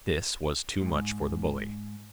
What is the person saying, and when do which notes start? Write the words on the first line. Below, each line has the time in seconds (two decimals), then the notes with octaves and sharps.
This was too much for the bully.
0.81 G#2